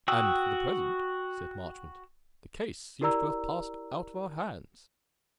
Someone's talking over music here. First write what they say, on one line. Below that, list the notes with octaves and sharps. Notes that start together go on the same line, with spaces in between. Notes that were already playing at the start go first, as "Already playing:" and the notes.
"And, for the present," said Marchmont, "the case seems to have passed out of our hands."
F#4 G5 D#6 E6
E4 G4 A#4 D5 A#5 E6